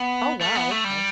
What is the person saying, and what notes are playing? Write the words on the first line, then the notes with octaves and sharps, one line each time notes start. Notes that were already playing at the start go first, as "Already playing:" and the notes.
Oh, wow, okay.
Already playing: B3
A3
B3
A3
G3